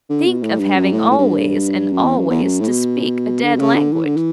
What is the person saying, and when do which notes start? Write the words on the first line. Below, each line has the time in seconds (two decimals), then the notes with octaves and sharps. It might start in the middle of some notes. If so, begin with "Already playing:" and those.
Think of having always--and always--to speak a dead language!
0.10 D3
0.26 B2
0.42 A2
0.59 G2
0.76 F#2
0.92 A2
1.11 A2
1.18 G2
1.92 F#2
2.05 E2
2.18 F#2
2.30 E2
2.43 F#2
2.61 A2
2.68 B2
3.43 D3
3.55 B2
3.59 C#3
3.75 D3
3.92 E3
4.05 D3
4.16 E3